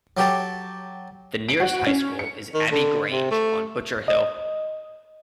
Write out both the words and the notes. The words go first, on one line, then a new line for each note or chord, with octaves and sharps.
The nearest high scool is Abbey Grange on Butcher Hill.
F#3 G4 A4
D7
F#4
C#4
C#7
D#3
D3
C3
A3
D#5